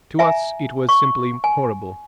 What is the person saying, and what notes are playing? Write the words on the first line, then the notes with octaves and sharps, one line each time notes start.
To us it was simply horrible.
E5 G#5 A#5
C#6
G#5